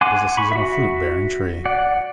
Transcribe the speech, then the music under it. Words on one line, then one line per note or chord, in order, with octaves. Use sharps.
It is a seasonal fruit bearing tree.
F#5 G#5 C6 D6
B5 C#6
F#4 E5
D5 F#5